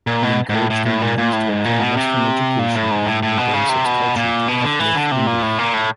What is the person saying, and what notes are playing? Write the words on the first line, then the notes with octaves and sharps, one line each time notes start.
He encouraged Indians to obtain western education and embrace its culture to uplift India.
A#2
B2
G#2
A2
A2
A2
A#2
A#2
A2
G#2
A#2
B2
C3
A#2
A2
G#2
A2
A2
B2
C#3
C3
B2
A#2
B2
D3
E3
D3
C3
A#2
A2
A#2
A2